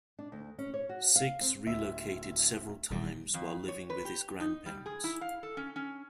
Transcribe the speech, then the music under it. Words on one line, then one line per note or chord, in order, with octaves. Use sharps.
Sixx relocated several times while living with his grandparents.
D4
D2
C#4
C#5
F#4
F5
C4
D1 E5 E6
D#1 D#2 G3
F2
C#5
B4
G4
D#4
G3
G#4
E4
F5
A4
C#4
C#4